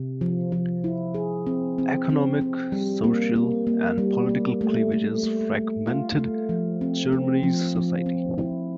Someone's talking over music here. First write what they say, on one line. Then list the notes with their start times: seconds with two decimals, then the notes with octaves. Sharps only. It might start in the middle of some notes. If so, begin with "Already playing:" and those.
Economic, social, and political cleavages fragmented Germany's society.
Already playing: C3
0.21 F3
0.52 F3
0.84 E4
1.14 G#4
1.47 C4
1.78 C4
2.09 C4
2.41 C4
2.72 G3
3.04 A#3
3.36 A#3
3.67 A#3
3.98 G3
4.30 A#3
4.61 A3
4.92 A3
5.23 A3
5.55 A3
5.87 F4
6.18 A3
6.49 F3
6.81 C4
7.12 C4
7.43 F3
7.76 F3
8.06 C4
8.38 E4